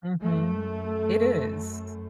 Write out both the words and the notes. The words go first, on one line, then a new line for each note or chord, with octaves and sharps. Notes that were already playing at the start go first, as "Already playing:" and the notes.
Mhm, it is.
F#2 A3